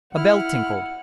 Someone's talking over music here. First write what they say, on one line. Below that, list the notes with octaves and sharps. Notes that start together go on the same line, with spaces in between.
A bell tinkled.
E4 F#5 F6